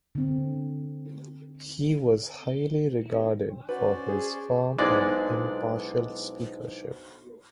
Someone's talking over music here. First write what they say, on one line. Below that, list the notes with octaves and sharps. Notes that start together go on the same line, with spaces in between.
He was highly regarded for his firm and impartial speakership.
D3 C4
C#4 F#4 B4 C5 D5
G#4
B1 G#3 D4 E4 C5 D5